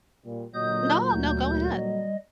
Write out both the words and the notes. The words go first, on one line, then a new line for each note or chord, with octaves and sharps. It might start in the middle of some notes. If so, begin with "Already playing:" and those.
No, no, go ahead.
A#2 G3
A#2 D3 F#3 D#5 D#6 G6
D2 A3 G6
G3 D#5